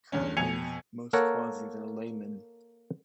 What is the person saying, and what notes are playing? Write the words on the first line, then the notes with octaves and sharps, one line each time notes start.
Currently most Quazis are laymen.
E2 G2 C#4
F2 B2 G#5 G#6 C#7 F7
A#3 A4 A#4 C#5 F#5